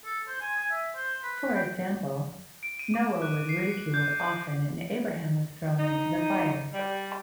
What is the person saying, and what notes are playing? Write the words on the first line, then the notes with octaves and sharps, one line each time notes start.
For example, Noah was ridiculed often and Abraham was thrown into the fire.
A4
C5
G#5
G#5
E5
C5
B4
G5
D7
D#7
D6
F#6
C7
G6
D#4
G3